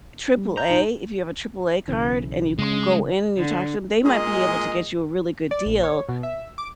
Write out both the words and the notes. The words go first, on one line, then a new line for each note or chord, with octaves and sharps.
AAA, if you have a AAA card and you g go in and you talk to 'em, they might be able to get you a really good deal
G3
A#5 G6
D#4
B1 C#3 E3
C#3 G#3 C#4
D3
A#2 G#3 G#4 D#5
D5
A#1
C#5
B2
E5
D6